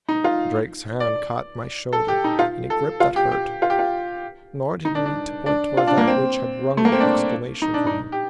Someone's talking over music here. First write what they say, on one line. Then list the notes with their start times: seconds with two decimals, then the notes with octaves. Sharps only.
Drake's hand caught my shoulder in a grip that hurt--nor did he need to point toward that which had wrung the exclamation from him.
0.09 D#4
0.24 F4
1.00 D5
1.93 A4
2.08 G4
2.24 D#4
2.39 F4
2.70 A4
3.00 F4
3.16 G4
3.32 G4
3.62 F4
3.70 G4
3.79 F4
4.85 D#4
4.95 D4
5.06 D4
5.46 D4
5.77 F4
5.87 D4
5.98 A#3
6.07 C4
6.77 A3
6.85 A#3
6.92 C4
7.00 D4
7.62 D#4
7.74 D4
7.87 D#4
8.12 G4